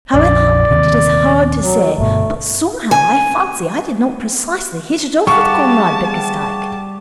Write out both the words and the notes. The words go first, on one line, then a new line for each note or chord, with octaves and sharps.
How it happened it is hard to say, but somehow I fancy I did not precisely hit it off with Comrade Bickersdyke.
A#1 F2 D4 D5
D#1 D#2 C3
F#3
G1 B2 A3
G#5
G3 G4 G#4 F5 F#5 A5 C#6